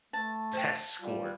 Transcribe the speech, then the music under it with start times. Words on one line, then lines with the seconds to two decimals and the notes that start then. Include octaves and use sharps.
test score,
0.13 A3 A5
0.53 C5 G5
1.01 G3 F4